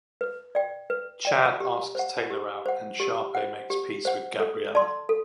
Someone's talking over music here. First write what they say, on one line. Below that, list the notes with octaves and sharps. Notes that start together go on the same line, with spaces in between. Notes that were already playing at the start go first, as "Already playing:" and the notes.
Chad asks Taylor out, and Sharpay makes peace with Gabriella.
B4
D5 G5
B4
D5 G5
G4
C5 F#5
G4
C5 F#5
G4
C5 F#5
G4
C5 F#5
A4
D5 A5 C6
A4